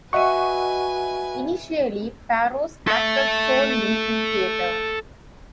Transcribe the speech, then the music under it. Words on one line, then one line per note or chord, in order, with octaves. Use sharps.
Initially, Parros acted solely in theater.
F#4 B4 D#5 E5 F#5 G#5 C#6 D#7
A4 E5